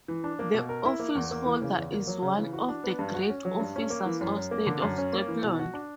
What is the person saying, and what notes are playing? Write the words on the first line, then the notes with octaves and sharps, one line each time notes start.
The officeholder is one of the Great Officers of State of Scotland.
E3
D4
A#3
B2
A#4
E4
A#3
E2
A#3
E3
C#3
E2
A#3
F#3
C#3
E3
F#4
D4
B3
G2
F#4
C#4
F#3
G2
C#4
A#3
E3
F#2
F#2
A#3
D3
F#2
C#4
A#3
E3
B2
F#4
D4